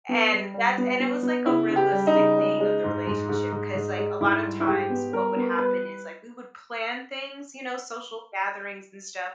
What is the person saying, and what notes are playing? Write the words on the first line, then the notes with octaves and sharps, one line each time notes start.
and that's and it was like a realistic thing of the relationship. 'Cause, like, a lot of times what would happen is like we would plan things, you know, social gatherings and stuff.
B3
G3
G3
B3
B3
B3
C#3 E4
C#3
G4
G3
D#4
C#3
G#3
G#3
G#2
G#2
G#2
G#2
G#2
G#3
G#2 E4
G3
E4
G#2 G4
B3
G3 A#4
B3
G3 B4